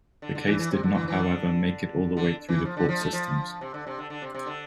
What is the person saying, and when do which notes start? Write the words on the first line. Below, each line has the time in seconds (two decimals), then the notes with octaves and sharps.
The case did not however make it all the way through the court systems.
0.22 D3
0.35 D3
0.47 E3
0.59 E3
0.71 C3
0.83 D3
0.95 E3
1.08 E3
1.19 D3
2.17 D3
2.49 E3
2.65 F3
2.77 D3
2.89 F3
3.01 A3
3.13 F3
3.61 C3
3.74 D3
3.87 C3
3.98 D3
4.10 D3
4.22 C3
4.35 C3
4.46 D3